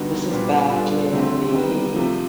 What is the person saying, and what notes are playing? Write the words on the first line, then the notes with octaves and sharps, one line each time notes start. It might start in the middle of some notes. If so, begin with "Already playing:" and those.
this is back in the
Already playing: D3 G3 B3 D#4 F#4
A#2 G3 B3 D4
G3 B3 D4 F4 A4
D3 F#3 A3 C4
D#3 G3 B3
C3 F3 A3